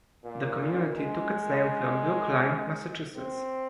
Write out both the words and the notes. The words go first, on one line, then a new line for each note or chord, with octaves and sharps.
The community took its name from Brookline, Massachusetts.
A#2
G#3
C4